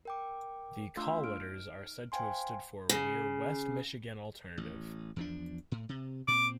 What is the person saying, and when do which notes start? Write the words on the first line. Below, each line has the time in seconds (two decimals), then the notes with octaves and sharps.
The call letters are said to have stood for "We're West Michigan Alternative".
0.05 A#4 G5 D6
0.97 A3 D4 F4 F5 C6 E6
1.24 D#4 F6 D7
2.12 C5 F5 G5 G#5 C6
2.89 C#3
4.58 A1
5.16 E2 F3 D4
5.72 A2
5.89 C3
6.28 A#2 C4 D6